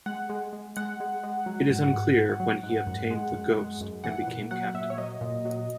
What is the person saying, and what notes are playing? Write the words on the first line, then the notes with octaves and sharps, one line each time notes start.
It is unclear when he obtained the "Ghost" and became captain.
G#3 F#5
G#3
G#3
G#3 F#5
G#3
G#3
F#3
G#2
G#2
G#2
F#3
G#2
F#2
G#3
F#2
G#3
F#2
E3 F#5
A#2
F#3 F#5
A#2 E5
C#5
F#3 D#5
A#2
F#3